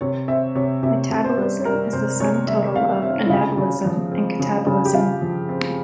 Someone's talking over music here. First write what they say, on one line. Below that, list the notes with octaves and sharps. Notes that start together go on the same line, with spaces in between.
Metabolism is the sum total of anabolism and catabolism.
C3 C#5
C4 E5
C3 C#5
C3 E5
C3
C5
G3
G3 A#4
C3 C5
C3 C#5
G3 E5
C3 F5
C4 E5
E4
C#3 F4
C#3
F3
C4
C#3
C#3
G4
C#3 F4
F3
C4